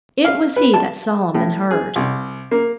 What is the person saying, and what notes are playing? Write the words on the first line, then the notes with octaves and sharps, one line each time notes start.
It was he that Solomon heard.
F5
B4
A5
A2
G#4
C2
A#3